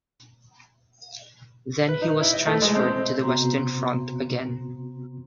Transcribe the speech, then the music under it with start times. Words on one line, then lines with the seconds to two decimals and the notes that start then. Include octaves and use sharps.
Then he was transferred to the Western Front again.
1.88 B4
2.01 D#4
2.20 E4
2.33 D#5
2.47 A3
2.62 G#3
2.75 C4
3.24 C3 B3 C4 F#4 A#5 C6